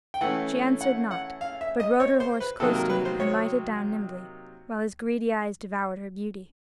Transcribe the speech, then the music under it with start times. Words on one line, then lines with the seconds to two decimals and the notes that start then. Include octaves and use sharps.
She answered nought, but rode her horse close to him and lighted down nimbly, while his greedy eyes devoured her beauty.
0.14 G5
0.21 E3 A3 C#4 F#5
0.81 F#5
1.11 F#5
1.41 F5
1.61 E5
1.80 D#5
2.00 C#5
2.20 C5
2.40 B4
2.60 C3 D#3 F#3 A#3 A4
2.75 A#4
2.90 B4
3.05 C5
3.20 C#5